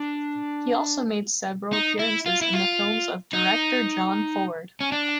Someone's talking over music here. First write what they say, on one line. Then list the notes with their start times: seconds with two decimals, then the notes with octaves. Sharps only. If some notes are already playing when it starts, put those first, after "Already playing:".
He also made several appearances in the films of director John Ford.
Already playing: D4
1.73 D#4
1.99 E4
2.26 F4
2.41 E4
2.54 F4
3.33 D#4
4.81 C#4
4.92 D4